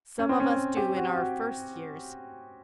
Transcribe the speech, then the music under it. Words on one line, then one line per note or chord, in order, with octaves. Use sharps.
'Some of us do in our first years.
C#4
C4
C#4
G4
F#4
F#4